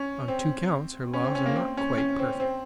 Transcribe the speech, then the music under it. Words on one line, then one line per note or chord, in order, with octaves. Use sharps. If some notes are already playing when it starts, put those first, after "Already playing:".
On two counts, her laws are not quite perfect.
Already playing: C#4
C4
C#4
C4
C#4
A#3
C4
C#4
C#4
C4
C4